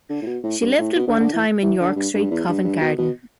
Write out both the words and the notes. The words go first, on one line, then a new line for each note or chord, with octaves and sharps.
She lived at one time in York Street, Covent Garden.
D3
A2
B2
A2
G2
A2
B2
D3
D3
E3
E3
D3
G2
G2
E2
G2
G2
B2
B2